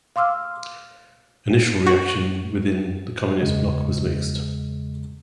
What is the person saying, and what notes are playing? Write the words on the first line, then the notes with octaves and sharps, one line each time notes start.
Initial reaction within the Communist Bloc was mixed.
F5 C6 D6 E6 F6
F#4
E2 C#3 G#3 G#6